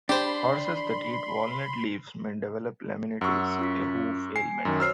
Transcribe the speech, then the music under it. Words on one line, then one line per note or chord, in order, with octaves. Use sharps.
Horses that eat walnut leaves may develop laminitis, a hoof ailment.
D4 G4 C5 B5 C6
F#2 F#5 C#6 E6
C#4 F4 B6
G#5 C7
F#2 D#3
F#4 C5 C#5 E6 F6 C7